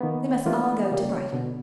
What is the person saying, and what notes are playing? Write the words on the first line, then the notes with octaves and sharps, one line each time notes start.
They must all go to Brighton.
D#3 A#3 B3
E3 G3 A3 A#3 D4 F4
C#3 G3 A#3
C#5
B2 D3